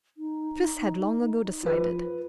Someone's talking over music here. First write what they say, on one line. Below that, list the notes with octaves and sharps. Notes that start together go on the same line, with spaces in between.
Chris had long ago decided.
D#4
F3 F4 B4